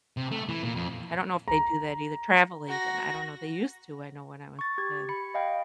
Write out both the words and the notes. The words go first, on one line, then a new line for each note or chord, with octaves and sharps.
um I don't know if they do that either travel agent, I don't know. They used to, I know, when I was a kid.
C3
A3
E3
A#2
F2
A#5
F#4 A#6
C#6 A6
G4 G#6
B5 C#7
D#5 F5 G5